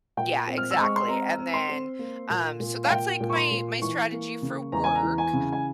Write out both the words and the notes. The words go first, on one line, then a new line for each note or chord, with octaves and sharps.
Yeah, exactly, and then, um so, that's, like, my my strategy for work,
A#2 G5
C4
F6
E6
G#3
C#6
C6
C4 A#5
C4
C6
C4
A#3
A#2
A#2
F5
A#2 G5
A#2
C#6
C6
A#2
E3 C#6
A#3
C#3
E2 A#5
G#5
A#5
E3
G#5
C#3
G#5